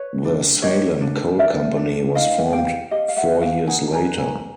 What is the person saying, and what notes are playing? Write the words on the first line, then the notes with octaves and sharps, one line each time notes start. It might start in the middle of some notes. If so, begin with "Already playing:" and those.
The Salem Coal Company was formed four years later.
Already playing: B4 C#5
D4
G4 C#5 D#5
D4
A#4 D5 E5
D4
E4 D#5 F5
G4 F5 G5
G4 D#5 F5
F5
E5 F#5
B4
F5 G5
D#4 F#5 G#5
A5
G#5 A#5
B4
G#5 A#5